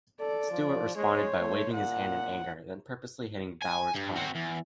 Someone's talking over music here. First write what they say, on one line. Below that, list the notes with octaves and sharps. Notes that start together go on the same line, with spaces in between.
Stewart responded by waving his hand in anger, then purposely hitting Bowyer's car.
A4 D5
F3
G#3 C5 C#5
A3
A#2 F#5
G#5
G2
C4 F#4
E2